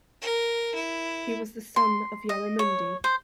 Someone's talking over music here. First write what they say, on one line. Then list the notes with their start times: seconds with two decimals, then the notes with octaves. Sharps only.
He was the son of Yarramundi.
0.21 A#4
0.75 E4
1.76 C6
2.29 D#5
2.59 C#5
3.04 C5